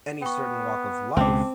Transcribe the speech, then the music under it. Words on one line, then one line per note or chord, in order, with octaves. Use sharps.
any certain walk of life
B3 G5 C#6
C#2 B2 C4 A5 D6